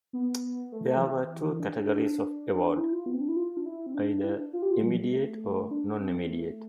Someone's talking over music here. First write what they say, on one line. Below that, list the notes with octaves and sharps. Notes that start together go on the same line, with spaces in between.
There were two categories of award, either "Immediate" or "Non-Immediate".
B3
A3
F3
E3
D4
E4
F4
B3
C4
D4
E4
F4
D4
E4
C4
D4
E4
D4
F4
G4
F4
G3
F3
G3
A3
D4
C4
A3